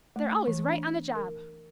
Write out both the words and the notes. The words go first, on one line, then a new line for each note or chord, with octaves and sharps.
They're always right on the job.
A3
E3
D4
A#4